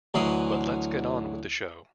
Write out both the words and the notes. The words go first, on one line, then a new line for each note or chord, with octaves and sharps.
But let's get on with the show.
D2 E3 F#3 D#5 C6